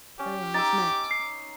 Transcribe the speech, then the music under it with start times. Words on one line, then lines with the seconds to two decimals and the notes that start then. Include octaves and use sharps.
Their eyes met.
0.19 C#4 G4
0.54 D#4 D6 E6 A6
1.11 C7